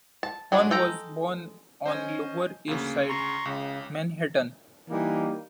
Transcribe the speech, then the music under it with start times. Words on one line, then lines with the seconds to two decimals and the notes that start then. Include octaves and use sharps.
Horn was born on Lower East Side, Manhattan.
0.23 A5
0.52 F#3 G#3 D4
0.71 G#3 A4 G5 A#5
1.86 C#4 C5 D#5 G#5
2.68 D2 C#3 A#3
3.09 A#5 C6 C#6
3.45 C#2 C#3
4.90 E3 G3 A#3 D#4